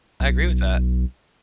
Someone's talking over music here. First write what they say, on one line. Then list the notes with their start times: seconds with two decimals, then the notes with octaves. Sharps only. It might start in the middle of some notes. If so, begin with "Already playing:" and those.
I agree with that.
0.20 B1